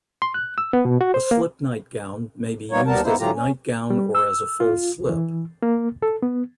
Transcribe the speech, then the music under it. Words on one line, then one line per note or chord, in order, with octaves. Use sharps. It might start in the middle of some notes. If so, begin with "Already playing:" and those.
A slip nightgown may be used as a nightgown or as a full slip.
C6
F#6
E6
B3
B2
F#4
C5
A#3
G3 A#3 B3 D#4 C#5
D#2 G3 B3 A#4 A5
A#3 B3 D#4 E4 C5
D3 E3 F#3 F4 G4 A#5
C#4
G3
E6
F4
E3
A#3
A4
B3